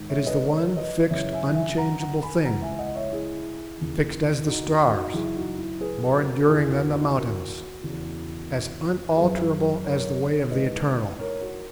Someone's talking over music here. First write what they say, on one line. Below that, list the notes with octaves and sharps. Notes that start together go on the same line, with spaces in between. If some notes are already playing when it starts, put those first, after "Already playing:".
It is the one fixed unchangeable thing--fixed as the stars, more enduring than the mountains, as unalterable as the way of the Eternal.
Already playing: G#2 D#3
C#5 E5
B4 D#5
A#4 C#5
B4 D#5
F#2 C#3 E3 C#5 E5
E5 G#5
E5 G#5
F#5 A#5
F#5 A#5
G#5 B5
C#2 C#3 E3 F#5 A#5
E5 G#5
D#5 F#5
C#5 E5
E4 G#4
D#2 C#3 E3
D#4 F#4
D#4 F#4
D#4 F#4
F#2 C#3 E3 E4 G#4
D#4 F#4
E4
G#4 B4
F#4 A#4
E2 C#3 E3 E4 G#4
F#4 A#4
D#4 F#4
F#4 A#4
E2 C#3 E3
F#2 E3 G#4 B4
A#4 C#5
G#2 E3 B4 D#5
A#4 C#5
F#4 A#4